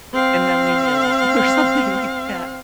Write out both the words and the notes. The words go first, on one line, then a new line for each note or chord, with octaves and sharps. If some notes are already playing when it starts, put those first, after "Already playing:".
and then leave me alone or something like that.
C4 F5